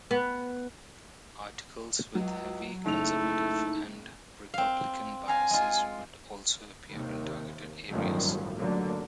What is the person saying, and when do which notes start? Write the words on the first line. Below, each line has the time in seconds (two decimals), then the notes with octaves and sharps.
Articles with heavy conservative and Republican biases would also appear in targeted areas.
0.11 B3
2.15 C#2 F#3
2.86 F#1 A3 D#4 E4 F7
4.54 C4 F5
5.28 F5 G#5 A#5
5.51 G#3 F4
6.90 D#2 C3
7.89 G1 F#2 A2 D#3 F3 G3
8.55 A1 D3 F#3 A#3